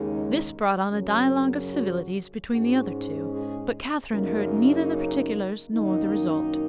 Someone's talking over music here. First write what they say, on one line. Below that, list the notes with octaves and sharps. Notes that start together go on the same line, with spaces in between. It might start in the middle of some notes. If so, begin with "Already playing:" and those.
This brought on a dialogue of civilities between the other two; but Catherine heard neither the particulars nor the result.
Already playing: D#2 C#3 G#3 D#4
F#2 C#3 F#3
F#4
G#2 G#3 C#4 F#4
G#4
F#2 C#3 A#3 D#4 A#4
F#2 D#3 A#3 D#4